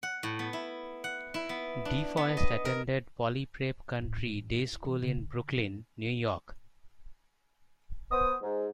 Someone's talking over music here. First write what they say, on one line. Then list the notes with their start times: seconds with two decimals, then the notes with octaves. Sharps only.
DeForest attended Poly Prep Country Day School in Brooklyn, New York.
0.03 F#5
0.23 A2
0.39 B3
0.53 E4
1.04 F#5
1.34 E4
1.49 B3
1.85 D4
2.17 B3
2.37 D#5
2.65 A#4
4.01 A2
4.33 A1
4.55 E4
4.85 E3
5.02 C#3
5.18 D3
5.57 F#2
8.11 B3 C5 D#6
8.42 G#2